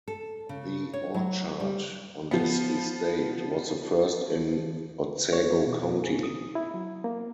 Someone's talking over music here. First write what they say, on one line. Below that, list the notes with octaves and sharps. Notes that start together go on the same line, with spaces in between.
The "orchard" on this estate was the first in Otsego County.
A4
C#3
C#5
F#3
G3
F3 B3
C#5
B2
G#4
D#6
E4
F#3
A#3